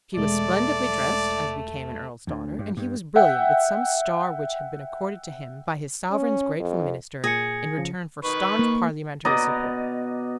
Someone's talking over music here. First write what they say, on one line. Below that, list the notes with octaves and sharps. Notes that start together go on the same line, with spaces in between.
She was splendidly dressed, as became an Earl's daughter, and he was brilliant with some star which had been accorded to him by his sovereign's grateful minister in return for staunch parliamentary support.
E2 B2 G#3 A3 D5
D2
G2
G2
E5 F#5 G5
C#4
F2
A#2 G#4 A#6 C#7
C#3 F3
D#3 B4 C#6
A#3
B2 D5 D#5 A#5